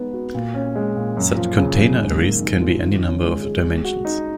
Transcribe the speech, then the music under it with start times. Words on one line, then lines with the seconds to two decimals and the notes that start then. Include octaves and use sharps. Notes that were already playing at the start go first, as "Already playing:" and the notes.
Such "container" arrays can be any number of dimensions.
Already playing: G#3 B3 D#4
0.13 F#4
0.34 A#2
0.54 C#4
0.75 G#3
0.96 A#2
1.17 F#2
1.37 F3
1.57 C#3
1.78 F#2
1.99 G#2
2.20 A#3
2.40 D#3
2.61 F4
2.81 D#3
3.02 C#4
3.23 G#3
3.43 G#4
3.64 G#3
3.84 F#4
4.05 D#4